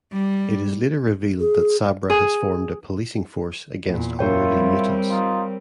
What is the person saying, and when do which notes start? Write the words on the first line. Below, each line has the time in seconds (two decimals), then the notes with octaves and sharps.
It is later revealed that Sabra has formed a policing force against unruly mutants.
0.13 G3
1.40 G#4
2.10 G#4
3.87 E2 A#2
4.19 E4 F4 A#4 C#5 G5
4.51 G3 C4
5.10 D#4 F4